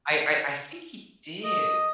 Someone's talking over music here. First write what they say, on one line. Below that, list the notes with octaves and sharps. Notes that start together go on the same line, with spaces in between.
I I I think he did.
D#5